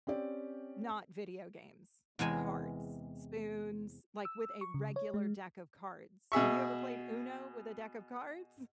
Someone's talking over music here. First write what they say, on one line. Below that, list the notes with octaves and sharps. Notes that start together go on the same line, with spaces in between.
n not video games. Like, cards, spoons, like, with a regular deck of cards. Have you ever played Uno with a deck of cards?
C4 C#4 G4 D5
E2 C3 G#3 G#5
E6
C#6
C#3
C#5
G#3
B2 G#4 E5 C#6